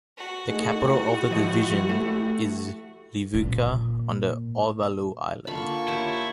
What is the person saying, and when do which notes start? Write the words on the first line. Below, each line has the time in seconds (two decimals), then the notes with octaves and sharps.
The capital of the division is Levuka, on the Ovalau island.
0.18 F#4
0.49 A3 D#4 G#4
0.79 E4 G4
1.31 F3 D#5
1.89 A3
3.35 A#2
5.47 D3 A#3 F4 F5 A5 B5 C#6
5.88 E4 G4 C#5